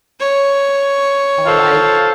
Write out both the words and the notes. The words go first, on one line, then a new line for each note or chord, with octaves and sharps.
All right.
C#5
F4 A4 C5